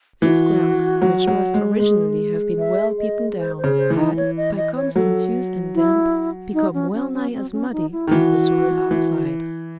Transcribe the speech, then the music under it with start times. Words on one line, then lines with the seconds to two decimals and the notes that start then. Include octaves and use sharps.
This ground, which must originally have been well beaten down, had, by constant use and damp, become well-nigh as muddy as the soil outside.
0.22 E3 F#4
1.02 F#3
1.27 F#3
1.54 G#3
1.80 G#3 G#4
2.59 E5
2.99 D#5
3.38 C5
3.58 C5
3.64 C#3
3.77 C5
3.90 E3
3.97 D#4
4.17 C#5
4.37 D#5
4.57 D#5
4.76 C#5
4.96 F#3 A4
5.75 E4
6.54 D#4
6.74 C#4
6.93 C#4
7.13 C#4
7.33 C4
7.53 C#4
7.72 D#4
7.92 E4
8.07 D#3
8.11 E3 F#4
8.91 E3